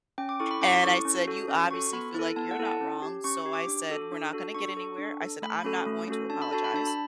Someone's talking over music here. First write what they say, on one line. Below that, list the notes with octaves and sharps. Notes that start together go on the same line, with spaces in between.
And I said, "You obviously feel like you're not wrong," so I said, "We're not gonna get anywhere," I said, "I'm not going to apologize."
C#4 G5
D6
E4 A4 C#6
B5
C#4 D6
E4 A4 C#6
C#4
F#4 A4
C#4
F#4 A4 C#6
B3 B5
E4 A4
B3 A5
F#5
E4 A4
A5
C#4
G4
C#4 C#6
G4
D6
D4
F#4 A4
D4
F#4 A4
D4 C#6
A4
D4
A4
A3 B5
C#4 F#4 A4
A3
C#4 F#4 A4
D4 A5
B5
F#4 A4 A5
B5
D4 A5
B5